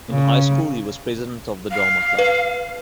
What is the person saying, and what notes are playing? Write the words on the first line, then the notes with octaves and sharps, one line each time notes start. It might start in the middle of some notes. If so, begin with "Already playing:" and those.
In high school he was president of the Drama Club.
C#3
F5
B4